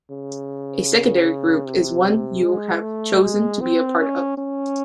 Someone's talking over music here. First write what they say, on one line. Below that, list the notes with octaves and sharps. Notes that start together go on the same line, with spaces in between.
A secondary group is one you have chosen to be a part of.
C#3
C3
G#3
A3
G#3
C4
C#4
C#4